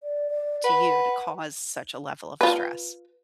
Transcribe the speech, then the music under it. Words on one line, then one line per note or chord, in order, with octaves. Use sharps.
to you to cause such a level of stress.
D5
D5
B4 F#5
F4 B4